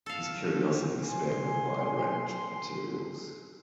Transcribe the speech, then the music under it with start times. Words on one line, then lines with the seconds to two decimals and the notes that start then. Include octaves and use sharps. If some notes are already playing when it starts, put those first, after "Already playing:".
His curiosity spanned a wide range of materials.
0.06 A4 F5
1.01 A#2 B3 G#5 C6